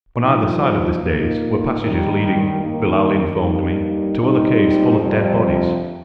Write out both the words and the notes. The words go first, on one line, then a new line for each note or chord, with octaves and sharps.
On either side of this dais were passages leading, Billali informed me, to other caves full of dead bodies.
G2 F3 D#4
A#2 A#3 D#4
D#2 D#3 G3
D#2 D#3 A#3 D#4
G2 G3 A#3 D#4
A#2 G3 C4 D#4
F2 C3 G3